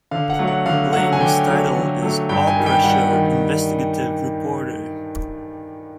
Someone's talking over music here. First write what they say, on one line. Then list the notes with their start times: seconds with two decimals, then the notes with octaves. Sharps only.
Ling's title is Oprah Show Investigative Reporter.
0.11 D3 F5
0.30 F#5
0.39 F#3 A3
0.47 F#5
0.66 D3 F5
0.93 F#3 A3 F#5
1.13 G#5
1.20 D3 G5
1.48 F#3 A3
1.75 D3
2.02 F#3 A3
2.29 G2 G5
2.47 G#5
2.57 D#3 G3
2.66 G5
2.84 G2 F#5
3.12 D#3 G3